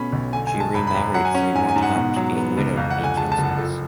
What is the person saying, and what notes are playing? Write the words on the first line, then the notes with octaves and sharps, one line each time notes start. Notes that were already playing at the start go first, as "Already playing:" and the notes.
She remarried three more times, being widowed in each instance.
Already playing: B2 A3 C#4 B5
B1
D3 G#5
G#5
G#3
A5
F#2 B5
B5
F#2
F#3 F#5
G#5
C#4 F#5
G#2 G#5
G#5
G#2
F#5
B2
F#3
B3
C#2
F2 F5
F#5
D3
G#5
G#3 A5
A5
F#1
F#5
F3 A4